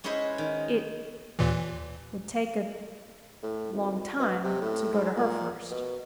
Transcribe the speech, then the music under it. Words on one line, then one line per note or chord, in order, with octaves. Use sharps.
"It--would take a--long time to go to her first?"
G#3 C#4 E4 G#4 B4 C5
D#3
D#2 A#2 E3
A2
G#1
B2
C3
A2
G#2
A#2
B2